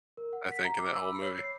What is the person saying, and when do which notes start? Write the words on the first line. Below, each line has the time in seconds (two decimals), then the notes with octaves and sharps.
I think in that whole movie.
0.17 A#4
0.33 F#5
0.52 B6
0.65 A#5
0.79 D6
0.92 E6
1.05 B5
1.22 C#5
1.38 C7